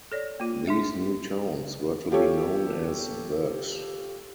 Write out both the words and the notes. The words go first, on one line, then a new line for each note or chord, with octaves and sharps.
These new towns were to be known as Burghs.
A4 C#5 D5
A#3 F4
D4 G#4 E5
F4 G4 A4 C#5